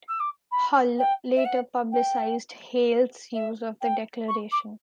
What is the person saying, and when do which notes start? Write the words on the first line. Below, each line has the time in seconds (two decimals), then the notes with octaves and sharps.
Hull later publicized Hale's use of the declaration.
0.09 E6
0.20 D6
0.51 B5
0.99 G5
1.36 E5
1.45 F#5
1.92 G5
3.34 E5
3.81 G5
4.28 C#6
4.52 D6